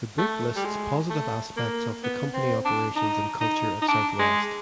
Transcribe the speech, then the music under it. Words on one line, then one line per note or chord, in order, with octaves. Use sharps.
The book lists positive aspects of the company operations and culture at Southwest.
A3
G3
G#3
A3
A#3
B3
C4
D4
D#4
D#4
D#4
D4
G#3